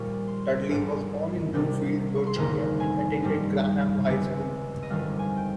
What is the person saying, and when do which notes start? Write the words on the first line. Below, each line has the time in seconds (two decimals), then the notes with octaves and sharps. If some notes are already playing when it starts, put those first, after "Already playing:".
Dudley was born in Bluefield, Virginia and attended Graham High School.
Already playing: A#1 A#2 D#3 G3 C#6
0.28 C6
0.70 G#1 G#2 G3
1.54 C2 C3 D#3 G3
2.15 C#6
2.27 C6
2.36 G1 F2 D#3 A#3 D#4 A#5
2.80 G#5
3.22 G2 G3 C4 D#4
4.06 C#2 C#3 G3 C4
4.82 D#5
4.90 G1 F2 D#3 G3 F5
5.19 G#5
5.37 G5